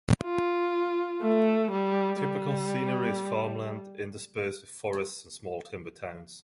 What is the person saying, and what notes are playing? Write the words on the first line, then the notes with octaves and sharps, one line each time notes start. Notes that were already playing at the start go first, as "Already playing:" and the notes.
Typical scenery is farmland interspersed with forests and small timber towns.
F4
A3
G3
G3